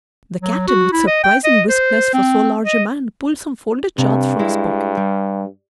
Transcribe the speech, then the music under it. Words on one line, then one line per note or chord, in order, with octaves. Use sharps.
The Captain, with surprising briskness for so large a man, pulled some folded charts from his pocket.
F#3
F#4
E4
D#5
G5
D#5
C5
C4
D#5
G2 C3
G#3 E4
G3